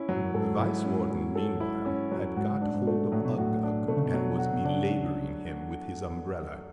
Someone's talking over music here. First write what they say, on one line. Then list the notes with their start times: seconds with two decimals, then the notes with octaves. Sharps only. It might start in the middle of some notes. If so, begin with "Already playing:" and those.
The Vice-Warden meanwhile had got hold of Uggug, and was belabouring him with his umbrella.
Already playing: C#4 E4
0.09 F#2 F#3
0.16 G#2
0.24 F#2
0.34 G#2 A4
0.59 G#2 E4
0.85 C#4
1.10 F#3
1.35 A4
1.60 E4
1.86 C#4
2.11 F#3
2.37 G#2 F#4
2.61 D4
2.74 G#2
2.87 A3
3.12 A2 F#3
3.25 B2
3.38 A2 F#4
3.63 D4
3.88 B2 A3
3.97 C#3
4.06 B2
4.14 F#3
4.39 F#4
4.53 B2
4.64 C#3 D4